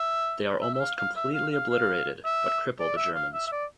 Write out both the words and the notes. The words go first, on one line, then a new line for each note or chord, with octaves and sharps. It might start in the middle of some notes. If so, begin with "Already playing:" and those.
They are almost completely obliterated, but cripple the Germans.
Already playing: E5
E5
E5
F5
F5
E5
F5
F5
F5
E5
D5
E5
F5
E5
E5
D5